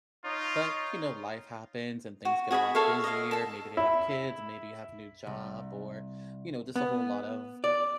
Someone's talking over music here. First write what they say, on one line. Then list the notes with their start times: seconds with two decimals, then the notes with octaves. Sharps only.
But, you know, life happens and things get a lot busier, maybe they have kids, and maybe you have a new job, or, you know, just a whole lot of
0.25 D#4 F4 C#5
2.25 F#4
2.51 F#4 G#4 F#5 B5
2.75 A4 C#5 E5 F5
3.04 D#5 F5
3.31 A4 A5
3.77 E4
5.27 C2
6.76 B3
7.64 D5